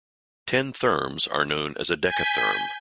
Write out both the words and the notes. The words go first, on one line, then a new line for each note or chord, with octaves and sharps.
Ten therms are known as a decatherm.
G#5 G6 B6